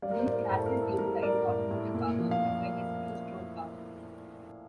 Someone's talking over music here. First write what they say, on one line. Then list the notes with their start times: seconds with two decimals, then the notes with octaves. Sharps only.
These classes utilize automotive power, as well as two-stroke power.
0.02 G3 D5 F5
0.11 A#4
0.19 C5
0.26 A2 A#4 D5
0.50 A2 A4 C5
0.66 A#4
0.74 A2
0.83 A4
0.98 G3 A#4
1.23 G3 A#4 D5
1.46 A2
1.71 A2
1.94 A#2
2.18 F3
2.31 F5